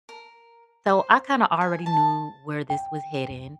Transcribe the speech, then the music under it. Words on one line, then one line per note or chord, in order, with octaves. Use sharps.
So I kinda already knew where this was heading.
A#4
C5
G#5
A5
G5